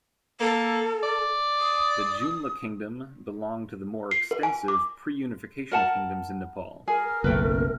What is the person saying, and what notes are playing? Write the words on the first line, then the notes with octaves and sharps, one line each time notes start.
The Jumla Kingdom belonged to the more extensive pre-unification kingdoms in Nepal.
A#3 A4
D5
D#6
C7
A#4
G#5
D6
A#4 F#5 A5
G#4 A#4 G#5
F#1 B1 A3 B4 G5